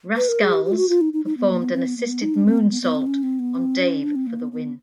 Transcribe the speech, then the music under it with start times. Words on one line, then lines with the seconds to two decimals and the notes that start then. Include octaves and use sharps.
Rascalz performed an assisted moonsault on Dave for the win.
0.16 B4
0.29 A#4
0.41 G#4
0.53 G4
0.65 G4
0.72 F4
0.77 F#4
0.89 F4
1.01 D#4
1.13 D#4
1.25 D#4
1.38 B3
1.50 A#3
1.62 B3
1.74 C4
1.86 B3
1.98 A#3
2.09 B3
2.22 D#4
2.35 D4
2.46 C4
2.58 B3
2.70 B3
2.82 B3
2.95 C4
3.07 C#4
3.23 C4
3.39 B3
3.55 C4
3.79 C#4
4.04 D4
4.16 C4
4.27 A#3
4.40 B3
4.52 B3